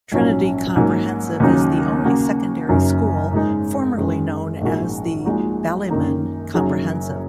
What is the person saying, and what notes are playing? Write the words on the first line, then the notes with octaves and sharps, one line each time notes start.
Trinity Comprehensive is the only secondary school formerly known as the Ballymun Comprehensive.
A#1 G#2 F#3 C#4 F#4
G#2 F#3 A#3
D#2 C#3 F#3 D#4
C#3 A#3 F#4
F#1 F#2 F#3 D#4 A#4
G#2 G#3 D#4
F#2 D#3 G#3
A#1 G#2 G#3 F#4 A#4
A#1 A#2 G#3 D#4 F#4
F#2 D#3 A#3 D#4
F#1 F#2 F#3 D#4 G#4